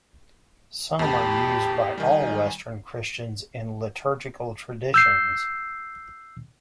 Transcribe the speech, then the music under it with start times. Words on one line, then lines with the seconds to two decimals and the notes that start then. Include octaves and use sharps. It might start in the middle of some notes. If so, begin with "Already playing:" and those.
Some are used by all Western Christians in liturgical traditions.
0.99 E2 A2 G4 A5 B5
1.98 D#3 G3 D#4 G#5
4.94 E6 G6 C7